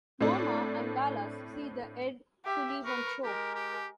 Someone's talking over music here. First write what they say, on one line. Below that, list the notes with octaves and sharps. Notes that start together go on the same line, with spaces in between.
Momma and Dallas see the Ed Sullivan show!
A2 C4 D4 A4
G4 E5
A#4 B4 C#6
G#3 G4 A#4
G4